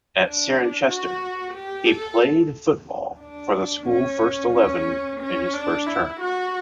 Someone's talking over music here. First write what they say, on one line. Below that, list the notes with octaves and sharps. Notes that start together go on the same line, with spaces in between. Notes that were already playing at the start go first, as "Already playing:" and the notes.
At Cirencester, he played football for the school first eleven in his first term.
D4
F#4
G4
A4
D4
C#4
C#4
C#4
D4
E4
F#4